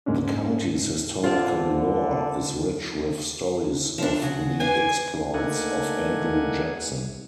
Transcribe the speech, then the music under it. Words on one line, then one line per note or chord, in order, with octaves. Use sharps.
The County's historical lore is rich with stories of the exploits of Andrew Jackson.
G#2 G#3 A#3 C#4 D4
D3 C4 F4
F3 D4
C#3 F#4
B4 C5 D5 G#5
A3 A#3 D4 D#4 F#5 G#5